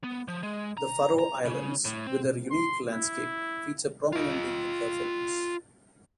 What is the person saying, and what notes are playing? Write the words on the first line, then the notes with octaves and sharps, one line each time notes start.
The Faroe Islands, with their unique landscape, feature prominently in her films.
B3
F3
G#3
A#5
A#5
C#3
A2
C4
C6
E4
F4 D#5